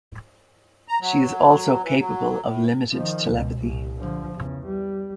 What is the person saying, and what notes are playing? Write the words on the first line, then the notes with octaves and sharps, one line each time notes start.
She is also capable of limited telepathy.
A#5
F#3
E3
F#3
A2
D#3 F3
C#2 B2
C2 A#2
D3 F3
E2 C#3
G3